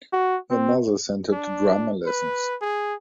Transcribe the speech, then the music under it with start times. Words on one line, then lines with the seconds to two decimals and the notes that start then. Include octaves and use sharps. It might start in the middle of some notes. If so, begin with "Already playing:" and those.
Her mother sent her to drama lessons.
0.13 F#4
0.50 C4
1.32 D4
2.07 B4
2.61 G#4